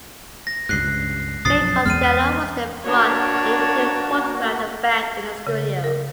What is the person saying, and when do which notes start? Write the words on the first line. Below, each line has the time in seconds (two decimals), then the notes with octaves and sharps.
Fin Costello was then brought in to photograph the band in the studio.
0.47 A#6
0.69 C#2 G2 F#6 C7
1.45 B1 F#2 F3 D#6 A6 C7
1.86 E2 G#3 B3 F6 D#7
2.85 A#3 D4 F#4 C#5
5.47 C#3
5.84 A#4